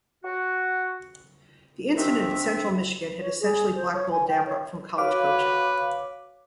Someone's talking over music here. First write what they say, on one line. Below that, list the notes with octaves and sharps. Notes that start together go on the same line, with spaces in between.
The incident at Central Michigan had essentially blackballed Dambrot from college coaching.
F#4
F#2 D#3 C4 D4 G4 E5
C#5
G#4
C5
C#5
G#5
G5
C#5
F#4 B4 C#5 F5 D6